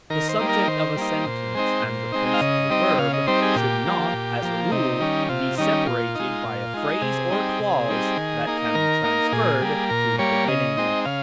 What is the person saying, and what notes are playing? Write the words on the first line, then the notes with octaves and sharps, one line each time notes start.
The subject of a sentence and the principal verb should not, as a rule, be separated by a phrase or clause that can be transferred to the beginning.
D#3 A#4
C5
G3 A#3 D#4
A#4
D#3 C5
G3 A#3 D#4
A#2
G#3 C4 D#4
A#2
G#3 C4 D#4
F5
C#3 D#5
G3 C4 D#4
C#3 F5
D#5
G3 C4 D#4 C5
G#4
A#2 G4
F3 A#3
A#2
F3 A#3
C3 D#4
D#3 G3 C#4
C3 F4
D#3 G3 C#4 D#4
A#2 F4
G#3 D#4
A#2
G#3 D#4
C3 G#4
G3 C4 D#4
C3
G3 C4 D#4
D#3
A#3 D#4
D#3 A#4
A#3 D#4
A#2 G#4
G3 A#3
A#2 A#4
G3 A#3 C#5
C#3 D#5
G#3 C4 D#4
C#3 F5